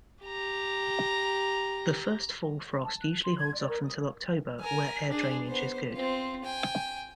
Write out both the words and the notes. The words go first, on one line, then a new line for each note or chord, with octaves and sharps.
The first fall frost usually holds off until October where air drainage is good.
G4 A#5
A5
F#6
C6
G#6
D5
A#4
D#6
A#4 G#5
D4 G#4
B3 C5
C4 F4
G5 G#5